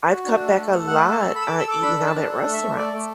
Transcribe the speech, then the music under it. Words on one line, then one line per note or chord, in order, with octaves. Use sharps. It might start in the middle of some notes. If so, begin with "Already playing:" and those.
I've cut back a lot on eating out at restaurants.
F#4
D4
A3
A3
A4
A3 F#5
A4
A5
A4
A4 B5
E6
D6
A4
E6
A4 D6
D4 B5
D4
A5
D4
A4
A3
E5
A3
A3 D5
A3